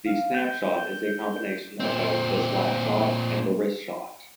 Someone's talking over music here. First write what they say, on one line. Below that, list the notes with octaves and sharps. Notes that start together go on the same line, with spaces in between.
The snap shot is a combination of both the slap-shot and the wrist shot.
F5
G6
A#2 C4